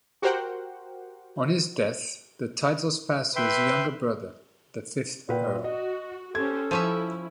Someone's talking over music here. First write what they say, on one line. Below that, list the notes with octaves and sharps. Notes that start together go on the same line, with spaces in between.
On his death the titles passed to his younger brother, the fifth Earl.
F#4 G4 A#4 C5 F#5 G5
B4 E5 G5 C6
A#2 B4 G5
F#4 D#5
C#4 G4 A4 C5 G#6
F3 C#4 E4 E5 D#7